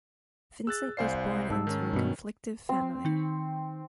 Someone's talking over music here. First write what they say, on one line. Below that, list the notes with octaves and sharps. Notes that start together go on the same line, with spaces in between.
Vincent was born into a conflictive family.
G#4 E6 F#6 A6
C2 C5 D5 F5 G#5 C7
G#2 A5 E6
D#3 C#4
G2 B2
C4
D#3 D#4